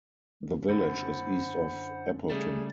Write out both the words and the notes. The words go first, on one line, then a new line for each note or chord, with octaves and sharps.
The village is east of Appleton.
F#2 D3 C5 F#5 B5
C#3 G3 A3 G#4 D5